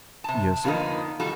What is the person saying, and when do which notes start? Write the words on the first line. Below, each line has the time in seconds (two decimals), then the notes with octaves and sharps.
"Yes, sir."
0.24 C3 A5
0.64 F2 D3 F3 A#3 B3 D#4
1.20 F3 G3 D#4 F#4 A4